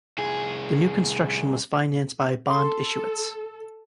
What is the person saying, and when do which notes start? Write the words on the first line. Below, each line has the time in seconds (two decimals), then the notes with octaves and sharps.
The new construction was financed by a bond issuance.
0.18 C2 G#4
2.50 A4 C6